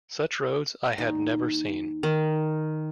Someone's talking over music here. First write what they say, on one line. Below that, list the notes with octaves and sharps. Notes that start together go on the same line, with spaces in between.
Such roads I had never seen.
D#2 D#4
D#3